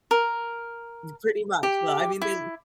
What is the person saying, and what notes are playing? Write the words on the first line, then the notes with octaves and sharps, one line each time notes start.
M pretty much. Well, I mean they
A#4
G4
E4